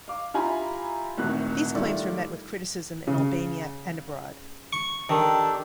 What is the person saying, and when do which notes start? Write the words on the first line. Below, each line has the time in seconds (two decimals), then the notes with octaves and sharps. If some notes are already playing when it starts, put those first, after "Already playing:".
These claims were met with criticism in Albania and abroad.
0.08 F5 D6
0.34 E4 F4 G4 G#5 A#5 B5
1.17 D#1 D2 C3 D#3 E3 F#6
1.74 D#3 G3 A3 E4 F4 D5
3.07 C#3
4.73 C#6
5.09 D#3 D4 G4 A4